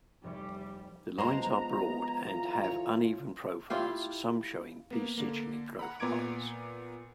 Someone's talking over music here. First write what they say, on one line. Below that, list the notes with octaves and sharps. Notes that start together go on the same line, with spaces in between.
The lines are broad and have uneven profiles, some showing P Cygni profiles.
F1 G3 G4 C#6 C#7
F3 G#3 B3 C5 A5 A#5
D3 E3 F4
C#5
E4 F4 G4 F5
A#3 B3
D3 A#3
F#5 A#5 B5
A#2 B3 A#5 D6 G#6 D7